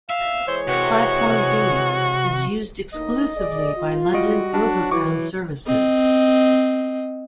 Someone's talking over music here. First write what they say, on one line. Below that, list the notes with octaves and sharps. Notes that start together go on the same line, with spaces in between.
Platform D is used exclusively by London Overground services.
E5 F5
E3 G#3 C5 C#5
C3 F#4
A2 A#3 D#4 D#5
G#4 D5
F4
G3 F#4 D#5 D7
F#3 D4
E3 C#6 D6
C4 D#5